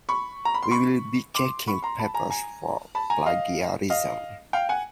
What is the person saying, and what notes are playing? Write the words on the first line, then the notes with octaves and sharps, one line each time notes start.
We will be checking papers for plagiarism.
B5 C#6
A#5
B5
C6
B5 C#6
C6 D6
B5 C#6
A#5 C6
A5 B5
G#5 A#5
G#5 A#5
A5 B5
G#5 A#5
D#5 F5
D#5 F5
F5 G5
F#5 G#5